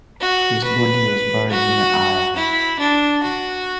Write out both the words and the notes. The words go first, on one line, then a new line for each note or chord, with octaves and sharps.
His body was buried near Ayr.
F#4
B4
F#4
E4
D4
F#4